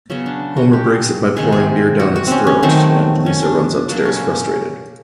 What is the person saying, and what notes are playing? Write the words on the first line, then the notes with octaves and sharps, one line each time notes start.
Homer breaks it by pouring beer down its throat, and Lisa runs upstairs frustrated.
C#3 F#3 B3 C#4
D4
F#4
G4
C3 D#3 G#3 B3 G#4
G#4
F#4
F#4
C4 C#4
C#4
D#3 F#3 A3 C4
C#4
D4
C#3 F#3 A#3 D4
C#4